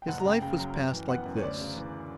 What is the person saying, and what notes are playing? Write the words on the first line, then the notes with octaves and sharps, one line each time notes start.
His life was passed like this.
G5
F#1 F#5
A#5
F#2
G5
C#3 G5
F#3
F#2
E3
B3 F#5
F#2
C#5
D2 D5
C#3
E3